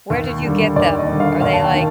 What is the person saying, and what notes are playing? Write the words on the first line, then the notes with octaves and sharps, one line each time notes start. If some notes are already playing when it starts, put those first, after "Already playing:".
Where did you get them? Are they, like,
D#2
D3 G3
D#2 D5
D#5
D3 G3
F5
D#2 F5
A5
G5
D#3